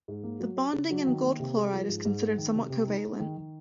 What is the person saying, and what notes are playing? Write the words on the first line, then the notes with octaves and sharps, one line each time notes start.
The bonding in AuCl is considered somewhat covalent.
G#2
A#3
F#3
C#4
C#3
F#3
D#3
A#3
C3
G#3
F3
G#2
G#2
G#3
D#3
C3
C3
D#4
G#3
D#3
D#3